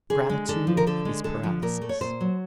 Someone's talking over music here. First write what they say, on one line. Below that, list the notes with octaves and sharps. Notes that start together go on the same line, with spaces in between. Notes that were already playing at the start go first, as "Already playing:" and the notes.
Gratitude is paralysis.
D3 G#4
G#3
D3 A4
F3
A#4
D3 A4
G#3
D3 A4
F3
A#2 A#4
A3
C#5
A#2 C5
F#3